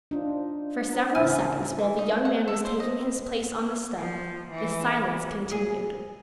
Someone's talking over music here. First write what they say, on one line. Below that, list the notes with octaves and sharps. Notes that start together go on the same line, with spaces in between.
For several seconds while the young man was taking his place on the step the silence continued.
D4 D#4 F4 C5
E4 C5 G5
A1 D2 C#3 G#5 F6 D#7
E3
D#4
F#5
A4
C5
D#5
F3
E3
G#4